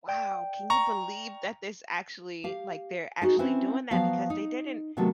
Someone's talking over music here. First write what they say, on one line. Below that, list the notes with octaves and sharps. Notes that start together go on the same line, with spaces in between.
"Wow, can you believe that this actually, like, they're actually doing that because they didn't
D5 G5
A#5 C#6
G4 F5
G#3 D#4 F#4
C4 C#4 E4 B4 C5
F3 F#3 B3 F5
D#4
C3 D#3 F#3 A3 B3 A4